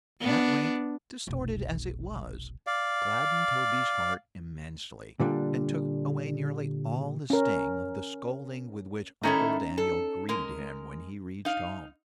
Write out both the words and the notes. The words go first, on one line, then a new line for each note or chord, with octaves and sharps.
That wink, distorted as it was, gladdened Toby's heart immensely, and took away nearly all the sting of the scolding with which Uncle Daniel greeted him when he reached home.
B3 D4
F1 B1
D5 F5
A#2 D3 G3 D4
C#4 A#4
D#3 A3 C#4 D#4 E4
A4
G#3 A#4
D#4 F5